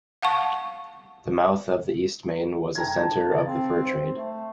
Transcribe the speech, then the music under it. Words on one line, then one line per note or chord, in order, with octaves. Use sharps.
The mouth of the Eastmain was a center of the fur trade.
F5 F#5 A5 C#6
G5 A#5 G#6
A5
C#3 A6
C4
C5
A3